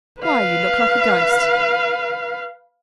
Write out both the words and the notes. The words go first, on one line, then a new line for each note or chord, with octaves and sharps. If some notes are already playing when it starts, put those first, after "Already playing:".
'Why, you look like a ghost.
B4 F5